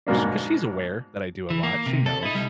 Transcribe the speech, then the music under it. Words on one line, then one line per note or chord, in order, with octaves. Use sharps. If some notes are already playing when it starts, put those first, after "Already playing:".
Sh 'Cause she's aware that I do a lot, she knows.
G#2 B2 A#3 D4
E3
A#3
C3
A4
D#4 E4
C2 G3